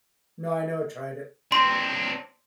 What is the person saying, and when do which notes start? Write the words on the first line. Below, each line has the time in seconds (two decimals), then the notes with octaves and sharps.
No, I never tried it.
1.52 C4 D4 C6